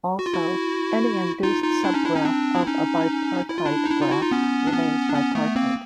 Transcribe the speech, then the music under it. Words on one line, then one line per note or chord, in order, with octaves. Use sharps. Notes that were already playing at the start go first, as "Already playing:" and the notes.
Also, any induced subgraph of a bipartite graph remains bipartite.
F#4
F4
E4 F#4
D#4 F4
D#4 F4
D4 E4
C#4 D#4
D4 E4
C#4 D#4
C4 D4
E4
C#4 D#4
E4
F4
D4 E4
D#4
D4 E4
D#4 F4
E4 F#4
D#4 F4
B3 C#4
D4
B3 C#4
D4
B3 C#4
A3 B3
A#3 C4